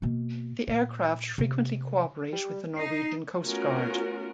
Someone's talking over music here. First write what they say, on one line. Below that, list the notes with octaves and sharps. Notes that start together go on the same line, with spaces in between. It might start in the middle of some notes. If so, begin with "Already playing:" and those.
The aircraft frequently cooperate with the Norwegian Coast Guard.
B2 A#3
A#2
C3
G3
D#4 C7
A3 B3 C#4 F4 F#4 A#4